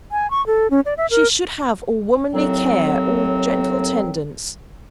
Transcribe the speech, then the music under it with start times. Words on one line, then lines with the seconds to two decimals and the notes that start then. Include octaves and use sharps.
She should have all womanly care, all gentle tendance.
0.12 G#5
0.31 C#6
0.47 A4
0.71 C#4
0.86 D5
0.98 E5
1.11 A#4
2.34 D#2 A2 F#3 C4